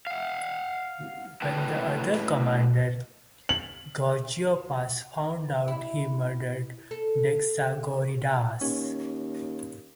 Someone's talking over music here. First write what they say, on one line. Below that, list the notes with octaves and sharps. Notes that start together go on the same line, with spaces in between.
When the other commander Gorgopas found out he murdered Dexagoridas.
F5 F#5
A2 F#3 B4 G5 A5
F#7
E4
A4
D#2 C#4